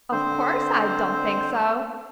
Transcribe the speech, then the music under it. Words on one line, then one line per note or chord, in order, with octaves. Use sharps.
'Of course I don't think so!
D3 C4 C5